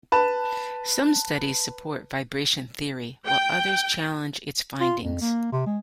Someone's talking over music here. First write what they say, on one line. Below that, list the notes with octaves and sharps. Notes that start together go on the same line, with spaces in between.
Some studies support vibration theory while others challenge its findings.
B4 A5
G5
F4
F2
A#3
C3
G#3